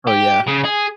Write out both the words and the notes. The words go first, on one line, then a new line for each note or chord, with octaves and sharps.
Oh, yeah.
G4
C#3
G#4